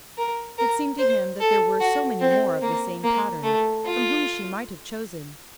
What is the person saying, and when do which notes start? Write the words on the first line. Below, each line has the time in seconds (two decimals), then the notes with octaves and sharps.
It seemed to him that there were so many more of the same pattern from whom she might have chosen.
0.17 A#4
0.58 A#4
0.99 C5
1.40 A4
1.80 F#4
2.21 C4
2.62 A#3
3.04 A#3
3.43 A3
3.85 F4